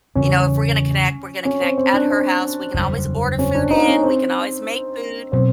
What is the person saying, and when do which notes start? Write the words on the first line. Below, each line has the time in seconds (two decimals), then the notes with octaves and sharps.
you know, if we're gonna connect we're gonna connect at her house, we can always order food in, we can always make food,
0.15 E2 C#3 E3 G3 C#4
1.45 C#4
1.61 C4
1.78 C4
1.93 D4
2.10 C4
2.74 F#1 E2 B2 G3
3.39 C#4
3.55 D4
3.71 D#4
3.88 C#4
4.04 C4
5.32 B2 F#3 B3 C4